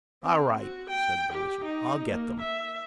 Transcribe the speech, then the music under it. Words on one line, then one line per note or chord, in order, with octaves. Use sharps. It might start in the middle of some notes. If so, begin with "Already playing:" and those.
"All right," said the Lizard; "I'll get them."
C4
F#4
G5
G4
D#4
A#3
E5